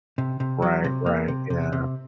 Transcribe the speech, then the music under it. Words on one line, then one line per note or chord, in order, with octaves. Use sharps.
Right. Right. Yeah.
C3
C3
F#3
C3
A#3
C3
C3
C3